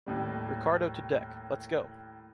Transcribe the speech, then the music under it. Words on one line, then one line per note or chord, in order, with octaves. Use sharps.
Ricardo to deck, let’s go!
D#2 A2 G3